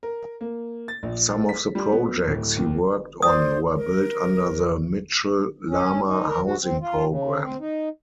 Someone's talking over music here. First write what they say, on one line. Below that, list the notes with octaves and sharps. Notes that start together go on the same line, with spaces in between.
Some of the projects he worked on were built under the Mitchell-Lama Housing Program.
A#4
A#3
A6
A#1
B6
G3
B3
D1
D#2
C5 D5 D#6
A#4
C#4
D#4
A#4
F#4
C4
F4
C#3
C4
D#4